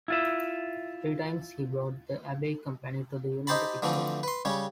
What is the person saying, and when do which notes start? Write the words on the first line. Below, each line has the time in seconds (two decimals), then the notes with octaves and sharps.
Three times he brought the Abbey Company to the United States.
0.08 E4 F4 E5
3.47 D#4 G4 C5 A5 B5
3.82 D3 E3 F3 A3 C4
4.23 B4 C6
4.45 C#3 G3 C#4